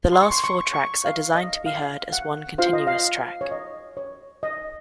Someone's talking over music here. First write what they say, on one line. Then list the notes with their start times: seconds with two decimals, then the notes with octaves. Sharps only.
The last four tracks are designed to be heard as one continuous track.
0.13 C6
0.22 C#6
0.32 C6
0.44 C#6
0.74 C#6
1.05 F5
1.35 D#5
1.66 F5
2.13 F#5
2.58 F4 C5 F5
2.73 D#5
2.87 F5
3.41 C#5
3.51 D#5
3.97 C#5
4.43 D#5